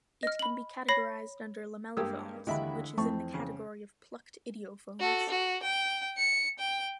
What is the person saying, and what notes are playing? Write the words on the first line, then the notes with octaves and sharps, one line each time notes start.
It can be categorized under lamellophones, which is in the category of plucked idiophones.
D#5 F6
B5 F#7
C#5 B5 A#6 C7
G2 G#3 A#3 G4 D#6 E6 G#6
D#2 D3 E3 G#3 D4 G4 E5 B5
F2 E3 A3 C4 A5 C#6
C#3
F#4 A4
F#4
G5
C#7
G5